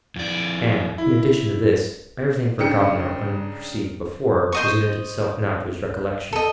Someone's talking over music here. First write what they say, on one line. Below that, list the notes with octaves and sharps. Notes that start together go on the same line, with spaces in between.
And, in addition to this, everything forgotten or unperceived before presented itself now to his recollection.
F2 D5
E4
C#3 D4 D#4 G5 C#7
C5 D#5 C#6
A4 D#5